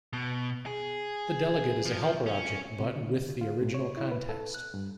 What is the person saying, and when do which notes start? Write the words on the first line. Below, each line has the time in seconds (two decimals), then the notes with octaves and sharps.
The delegate is a helper object, but "with the original context".
0.13 B2
0.66 G#4
1.86 F3
2.26 C#4
2.80 C3
2.96 D3
3.41 F4
3.62 A2
3.74 C#5
3.97 E4
4.12 B4
4.29 A4
4.54 F#6
4.74 G2